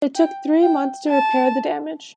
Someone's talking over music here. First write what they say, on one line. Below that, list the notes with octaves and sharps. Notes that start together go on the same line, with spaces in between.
It took three months to repair the damage.
G5
G5
A5